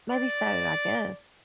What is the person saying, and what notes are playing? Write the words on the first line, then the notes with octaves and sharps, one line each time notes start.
Maybe so, I guess.
D5